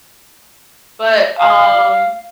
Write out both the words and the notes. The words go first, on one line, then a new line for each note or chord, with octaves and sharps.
But, um,
F5